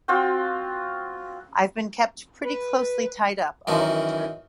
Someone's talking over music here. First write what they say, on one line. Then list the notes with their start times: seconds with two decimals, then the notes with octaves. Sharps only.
I've been kept pretty closely tied up all winter.
0.08 C4 F4 F#4 G5
2.45 B4
3.67 F#2 D#3 E3 F#4